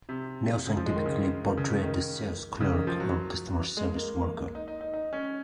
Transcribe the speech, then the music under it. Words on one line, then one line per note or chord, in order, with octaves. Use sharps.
Nelson typically portrayed a sales clerk or customer service worker.
C3
C#3
F3
G#3
D#3
C#3
D#3
C#3
C#3
D#3
C#3
D#3
F3
F#3
G#3
A#3
A#3
D#4
D#4
D#4
D#4
C#4